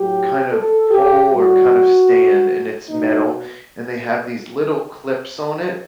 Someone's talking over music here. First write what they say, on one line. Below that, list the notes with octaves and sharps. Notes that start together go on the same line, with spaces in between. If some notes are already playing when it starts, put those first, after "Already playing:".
kind of pole or kind of stand, and it's metal, and they have these little clips on it,
Already playing: A2 F#3 G4
A4
G4
A2 G3 F#4
B2 D#4